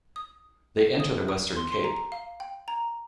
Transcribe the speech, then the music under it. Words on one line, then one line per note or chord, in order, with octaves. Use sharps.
They enter the Western Cape.
D#6
D#6
D#6
C6
C6
A#5
F5
G5
A#5